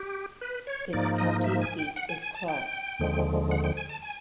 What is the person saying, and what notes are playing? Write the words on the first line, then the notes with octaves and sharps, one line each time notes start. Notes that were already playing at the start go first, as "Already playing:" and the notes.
Its county seat is Clark.
Already playing: G4
B4
C#5
G#2 F3 A#3 D#4 D5
D#5
E5
G#5
G5
F#5
G#5
G#5
A5
G5
D#2 D3 F3 G#3
F#5
G5
G#5
A5
G#5